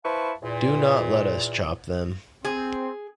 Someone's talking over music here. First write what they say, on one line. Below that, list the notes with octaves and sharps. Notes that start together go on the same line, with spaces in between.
Do not let us chop them.
E4 B4 C5 F5 A5 C#6
E2 A#2
C4 G#4